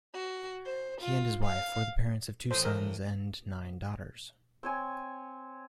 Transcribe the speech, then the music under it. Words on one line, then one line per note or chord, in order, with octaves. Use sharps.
He and his wife were the parents of two sons and nine daughters.
F#4
C5
F4
F5
A2 E3 C5 D#6
A#4
C4 C#5 G#5